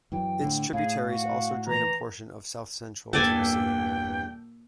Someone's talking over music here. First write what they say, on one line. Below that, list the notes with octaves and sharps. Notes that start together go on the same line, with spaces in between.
Its tributaries also drain a portion of south-central Tennessee.
F#2 E3 G5
A2 D3
A2 G#4 F5
F#4
E3 A#5
E2 G2 A#2 A4 D5 G5 G#5